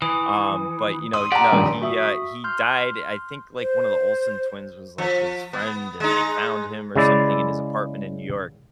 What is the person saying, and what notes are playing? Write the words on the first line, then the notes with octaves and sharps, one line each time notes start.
Um, but, you know no, he, uh, he died I think, like, one of the Olsen twins was, like, his friend and, like, found him or something in his apartment in New York,
E3 D#6
C6 D#6 D#7
G4 D5 F#5 A#5
D#1 G2
F#4 E5 D#6
C6 F6 G6
C5
F3
B3
G#3 D#4
C#3 G#3 E4 D5